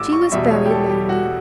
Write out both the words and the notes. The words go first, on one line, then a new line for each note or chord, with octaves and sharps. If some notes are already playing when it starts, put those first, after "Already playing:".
She was very lonely.
Already playing: A1 A2 G3 D6 E6
C#6
E2 B2 G3 E5
C#5
G4
A4
G4
F#4